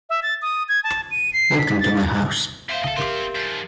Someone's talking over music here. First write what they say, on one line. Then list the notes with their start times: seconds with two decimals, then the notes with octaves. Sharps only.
Welcome to my house.
0.10 E5
0.23 A6
0.42 D#6
0.69 G#6
0.84 A5
1.11 D#7
1.33 C7
1.59 B6
1.80 A6
2.69 B2 C5 E5 F5
2.84 A4 D#5
2.97 C4 F4 G4 A#4 C6
3.35 G#2 F3 G6 A6